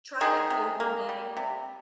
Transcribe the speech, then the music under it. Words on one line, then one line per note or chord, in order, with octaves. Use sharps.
try that food one day.
D#3 G#4
C3
A#3
G3
C3